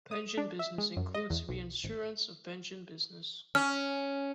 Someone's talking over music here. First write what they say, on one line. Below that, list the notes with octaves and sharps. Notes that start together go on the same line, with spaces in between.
Pension business includes reinsurance of pension business.
D#6
D4
E5
G#3
F#2
D#5
E2
B1
G#1
C#4 F6